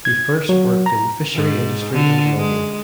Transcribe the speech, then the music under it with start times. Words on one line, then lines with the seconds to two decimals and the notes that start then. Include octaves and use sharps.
He first worked in the fishery industry and logging.
0.05 G#6
0.49 F#3
0.86 A#5
1.35 G#2
1.94 D3
2.38 G#3